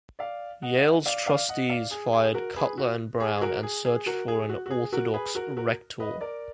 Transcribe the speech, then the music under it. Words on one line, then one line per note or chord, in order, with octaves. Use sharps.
Yale's trustees fired Cutler and Brown, and searched for an orthodox Rector.
D5 F5
D#5 F#5
D5 F5
D5 F5
D#5 F#5
D5 F5
G#4
G#4
F#4 A#4
G#4 B4
F#4
G#4
G#4
F#4 A#4
G#4
G#4
F#4 A#4
G#4
F#4
F#4
G#4
F#4 A#4
G#4 B4
F#4 A#4
F#4 A#4
B4 D#5
A#4 D5